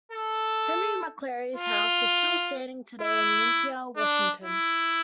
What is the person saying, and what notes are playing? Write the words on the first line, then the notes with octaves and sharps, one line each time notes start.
Henry McCleary's house is still standing today in Olympia, Washington.
A4
F4
E4
D4
E4